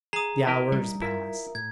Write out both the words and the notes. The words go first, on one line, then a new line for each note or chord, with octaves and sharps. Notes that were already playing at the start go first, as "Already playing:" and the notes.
The hours passed.
G#4 A#5 D#6
E4 A#4 D#5
G3
E4 F4 A#4 E5
A2 G#6